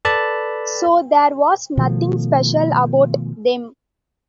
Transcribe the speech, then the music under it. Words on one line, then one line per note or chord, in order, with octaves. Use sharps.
So there was nothing special about them.
A4 B4 D5 A5 B5
B2 D#3 F3 A3